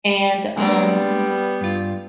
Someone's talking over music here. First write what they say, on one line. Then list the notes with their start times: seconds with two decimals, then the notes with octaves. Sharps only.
and, um
0.58 G3 G#3 A#3 B3 D4
1.61 G2 F4